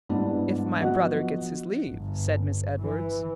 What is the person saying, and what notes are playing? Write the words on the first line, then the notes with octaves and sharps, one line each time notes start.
"If my brother gets his leave," said Miss Edwards.
G#2 G3 B3 D4 E4
F3 F#3 B3 F#4 D#5 F#5
G1
E3